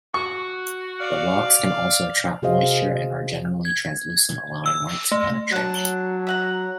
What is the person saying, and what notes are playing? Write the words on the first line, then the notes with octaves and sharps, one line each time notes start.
The rocks can also trap moisture and are generally translucent allowing light to penetrate.
F#4 C#6
D5 F5
C3 F#4 G#4 C5 D#5 F5
G#6
E6
A3
F#3 D4 F#5
E5 F#5 A#5